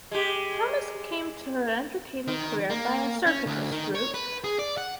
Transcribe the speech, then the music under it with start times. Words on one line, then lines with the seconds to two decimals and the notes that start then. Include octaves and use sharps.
Thomas came to her entertainment career by a circuitous route.
0.11 G#3 G4
2.28 D#3
2.70 A#3
3.27 C#4
3.46 D2
3.72 D#3
3.95 C#5
4.14 B4
4.44 G#4
4.59 D5
4.78 F#5